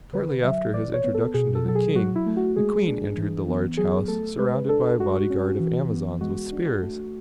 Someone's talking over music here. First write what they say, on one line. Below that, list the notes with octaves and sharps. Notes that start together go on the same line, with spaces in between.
Shortly after his introduction to the King, the Queen entered the large house, surrounded by a body-guard of Amazons with spears.
D3 B4
F#3 E5
E3 D5
C#5
B3
A4
B2 G#4
A4
F#3 A4
G#4
F#3 F#4
E4
A3
F#4
G#3 G#4
D4
E3
B3
F#3 G#4
A3 A4
G#3 B4
D4 A4
G#3 F#4
C#4
E3
B3
G#3 F#4
D4
A3